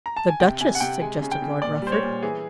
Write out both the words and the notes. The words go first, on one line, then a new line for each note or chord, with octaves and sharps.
"The Duchess!" suggested Lord Rufford.
A#5
A5
G#5
C3 G5
C3 G#5
F#5
C3 G5
G#3 G#5
C#3
G5
C#3
A#2 D5
G3 C5
C#5
A#2
E3 G#4